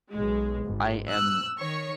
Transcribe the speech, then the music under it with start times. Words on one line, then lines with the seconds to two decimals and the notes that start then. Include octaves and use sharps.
I am
0.11 B1 G#3
0.66 G#1
1.09 E6 F#6
1.57 D#3 C#5 C#6